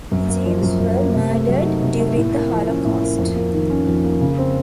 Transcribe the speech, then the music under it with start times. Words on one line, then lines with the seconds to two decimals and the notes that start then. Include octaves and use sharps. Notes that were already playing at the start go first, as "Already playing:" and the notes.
The Jews were murdered during the Holocaust.
0.11 F#2
0.28 A#3
0.45 F3
0.63 F#2
0.80 F#2
0.96 A#3
1.14 C3
1.31 A3
1.48 F#3
1.65 D#4
1.82 C3
2.00 A3
2.17 A2
2.34 A#3
2.51 F3
2.67 C#4
2.85 A2
3.02 A#3
3.18 F2
3.36 A#3
3.53 D#3
3.70 C#4
3.87 F2
4.05 A#3
4.21 C#3
4.38 C4